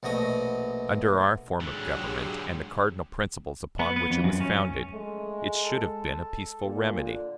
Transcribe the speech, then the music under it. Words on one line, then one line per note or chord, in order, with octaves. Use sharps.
Under our form of government, and the cardinal principles upon which it was founded, it should have been a peaceful remedy.
A#1 B2 A3 D#5 D#6
G#2 D3 F#3 G4 G#4
B3
B3
F2
F#2
C#4
G#3 A3
A4
A#2
D3